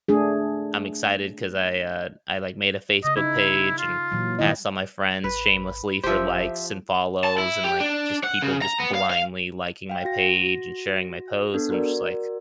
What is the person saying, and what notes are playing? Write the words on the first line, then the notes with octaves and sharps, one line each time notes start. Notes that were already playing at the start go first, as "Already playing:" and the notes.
I'm excited 'cause I, uh, I, like, made a Facebook page, and asked all my friends shamelessly for likes and follows, and, like, just people just blindly liking my page and sharing my post, and I'm just like
A3 D4 G#4
C#3 D#5
D#4 E4
F4
A#2 E3 F#3
D#3 E4 D#5
A1 B4
G1 F3 G4 C5 E5
A5
E4
G4
D4
F#5
C#3
A#5
B3
F5
F5
F5 G5
F#4 A#6
B3 D4 A4
F#4 A#4 D5